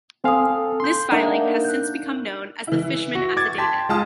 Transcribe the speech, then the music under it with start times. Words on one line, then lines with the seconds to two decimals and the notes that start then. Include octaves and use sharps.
This filing has since become known as the Fishman Affidavit.
0.24 C4 A4 F5 G#5 D#6
0.80 C6 G6
1.12 A#3 D4 D#4 E5 F#5
1.65 F#6 G6
2.67 E3 E4
3.15 F#4
3.37 D6 G#6 A6
3.58 G5 A5 C6 B6
3.89 G#3 F4 A5 D#6